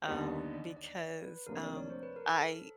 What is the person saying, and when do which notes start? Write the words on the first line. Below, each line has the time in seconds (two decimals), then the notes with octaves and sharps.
um, because, um, I
0.06 D#2 D3 G3 B3 D#4 D5
0.30 D#5
0.53 D5
0.77 D5
1.23 B4
1.47 D2 C3 F3 A#3 D4 A#4
1.64 D5
1.77 C#5
1.90 C5
2.03 B4
2.16 A#4
2.39 A4